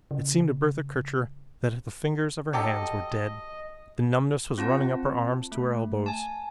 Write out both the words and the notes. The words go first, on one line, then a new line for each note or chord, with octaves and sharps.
It seemed to Bertha Kircher that the fingers of her hands were dead. The numbness was running up her arms to her elbows.
C#3
F#3 G4 A4 D#5
C4 F4 F#5 A5
A3
G#5 A5